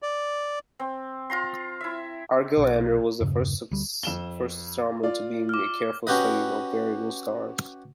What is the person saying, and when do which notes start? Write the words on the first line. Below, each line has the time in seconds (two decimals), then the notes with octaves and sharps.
Argelander was the first astronomer to begin a careful study of variable stars.
0.02 D5
0.79 C4
1.30 F4 A#5 C6
1.81 E4 E5
2.57 B1
3.20 E1 G2 C#3
3.71 D2 G3
4.03 F2 E7 G7
5.03 F4 D5
5.49 D6 F6
6.07 C#4 F#4 G4 B4 D#5